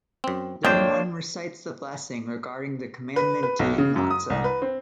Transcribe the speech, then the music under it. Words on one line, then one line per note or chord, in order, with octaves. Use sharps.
Then one recites the blessing regarding the commandment to eat Matzah.
F#2 C4
G#1 F2 A#3 D4 C5 C#5 D#5 G5
B4
B4
B1
C#3
F#2
D#6
C2
B4
C4